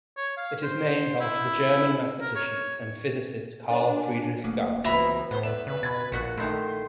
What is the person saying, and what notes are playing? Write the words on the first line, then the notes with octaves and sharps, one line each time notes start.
It is named after the German mathematician and physicist Carl Friedrich Gauss.
C#5
F5
C5
E4
A#4
C#5
D4 A#4 C#5 G#5
D1 A3 A#3
C#2 B2 E3 C4 E5 A#5 B5
A2 B3 C5
B4 D5 E5 E7
C#3 B4
B2 B5 G#6 A6
A#1 A#2 F#4 F#6 B6 C#7
D#3 A3 D#4 E4 C6